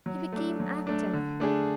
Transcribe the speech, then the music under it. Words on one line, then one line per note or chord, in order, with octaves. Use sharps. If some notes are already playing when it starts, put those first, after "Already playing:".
He became active.
F#3
A3 D4
F#3
A3 D4
D3
A3 D4 G#4